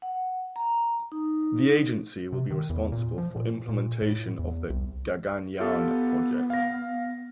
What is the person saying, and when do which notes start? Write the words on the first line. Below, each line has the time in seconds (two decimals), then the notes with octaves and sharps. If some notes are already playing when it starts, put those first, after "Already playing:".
The agency will be responsible for implementation of the "Gaganyaan" project.
0.02 F#5
0.56 A#5
1.12 D#4
2.32 C3
2.51 D#3
2.70 E2
2.92 A#2
3.18 F3
3.36 A#2
3.69 A#2
4.02 A2
4.39 E2
4.70 C2
5.60 B3 F4 G4 A4
6.50 F5 A#6